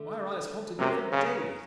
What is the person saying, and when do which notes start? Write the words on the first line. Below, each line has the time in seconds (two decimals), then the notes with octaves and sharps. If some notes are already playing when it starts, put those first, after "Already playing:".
Why her eyes haunted me for days.
Already playing: D3 A3
0.79 C3 F#3 A#3 C#4
1.12 C#3